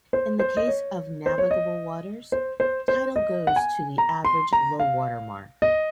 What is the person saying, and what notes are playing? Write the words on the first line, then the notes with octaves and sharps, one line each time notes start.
In the case of navigable waters, title goes to the average low water mark.
C5
C5
D#5
C#5
C5
C#5
D#5
C5
C5
C5
D#5
F#5
G#5
A#5
C6
A#5
F5
D#5